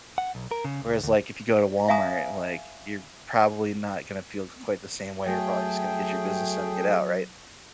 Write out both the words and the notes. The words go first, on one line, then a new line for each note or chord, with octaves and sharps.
Whereas, like, if you go to Walmart, like, you're probably not gonna feel q quite the same way, you're probably just gonna get your business done and get out, right?
F#5
B1
A#4
C#3
C#2
D2
E5 F5 G#5 A#5 D#6
F#3 A3 G#4 G5